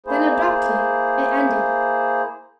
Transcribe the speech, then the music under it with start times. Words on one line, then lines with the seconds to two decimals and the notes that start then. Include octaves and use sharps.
Then abruptly it ended.
0.06 A#3 E4 G#4 C5